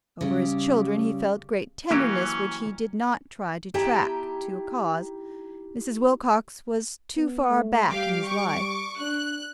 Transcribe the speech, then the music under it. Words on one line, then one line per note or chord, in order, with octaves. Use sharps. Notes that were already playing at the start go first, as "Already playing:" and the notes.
Over his children he felt great tenderness, which he did not try to track to a cause: Mrs. Wilcox was too far back in his life.
C#3 G3
E3 F#3 A#3 C#4 G4
D#4 E4 G4 G5 A5 A#5
B3
A3
G3 G4 F5 D6
C#6 D6
D4 F#6